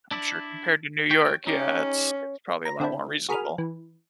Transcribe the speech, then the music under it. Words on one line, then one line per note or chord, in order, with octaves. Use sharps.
I'm sure compared to New York, yeah, it's it's probably a lot more reasonable.
D4 E4 D5
D#2 C#5 G5
C#4 D#4 G4
A#5
D3 C4 D4 E4
F#4 G#4 A#4 B5 D#6 F6
E3